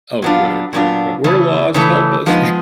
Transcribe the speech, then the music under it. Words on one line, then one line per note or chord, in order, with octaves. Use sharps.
Oh, good, good, good. "We're lost. Help us."
A#2 F#3 B3 D4 F4
A#2 F#3 B3 D4 F4
C#3 E3 A3
C#3 E3 A3
F3 G#3 B3 D#4